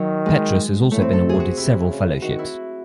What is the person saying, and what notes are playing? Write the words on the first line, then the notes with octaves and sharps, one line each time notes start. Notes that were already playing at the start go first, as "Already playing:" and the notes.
Petrus has also been awarded several fellowships.
Already playing: D#3 F#3
G#3
A2 A3
C4
A4
C3
G#4
F#4
C3 E4
C#3
D#3 F#4
E4